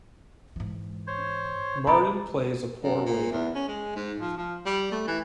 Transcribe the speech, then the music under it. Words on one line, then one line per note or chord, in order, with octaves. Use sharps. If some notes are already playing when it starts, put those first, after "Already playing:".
Martin plays a poor waiter.
G#2 E3
C5 C#5
C3 D#4 A4 A#5 B5 D6
F#2
A#2
E2
C#4
G#3
G#2
F3
F3
G3
A3
E3